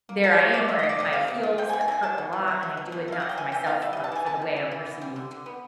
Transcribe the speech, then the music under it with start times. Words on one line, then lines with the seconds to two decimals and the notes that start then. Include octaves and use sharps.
there I am wearing high heels that hurt a lot and I do it not for myself, but for the way I'm perceived
0.09 A#3
0.24 F3 A#4
0.38 C3 C#5
0.54 C3 D5
0.68 A#3 E5
0.79 F3 D#5
0.89 D5
0.99 C3 D#5
1.13 C3 F5
1.28 A#3
1.43 F3
1.58 B2 G5
1.69 G#5
1.73 B2
1.81 G#5
1.88 A3
1.92 G#5
2.03 F#3 A5
2.18 B2
2.33 B2
2.48 A3
2.63 F#3
2.77 B2
2.92 B2
3.08 A3
3.12 F5
3.20 F#3 F#5
3.29 G5
3.38 E3 G#5
3.52 E3 G5
3.67 B3 F5
3.82 G3 E5
3.93 D#5
3.97 E3
4.04 A5
4.12 E3 G#5
4.26 B3 A5
4.42 G3
4.56 E3
4.71 E3
4.86 B3
5.02 G3
5.16 D3
5.31 D3
5.46 B3